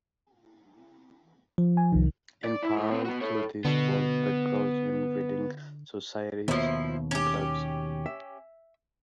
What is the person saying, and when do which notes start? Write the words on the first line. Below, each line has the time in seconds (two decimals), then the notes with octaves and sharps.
In parallel to this was the growth in reading societies and clubs.
1.58 F3
1.77 G#5
1.92 C2 D#3
2.44 D5
2.63 E4
2.77 A2
2.92 B3 C4
3.05 B3 F#4
3.21 A4 C#5
3.65 D3 B3 F#4
6.48 D#2 B2 F3 E4
7.11 C#4 G4
8.06 E5